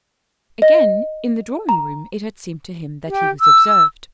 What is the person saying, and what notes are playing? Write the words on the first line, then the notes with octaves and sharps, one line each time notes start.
Again, in the drawing-room it had seemed to him that he was observed.
D#5
A#5
G4
E6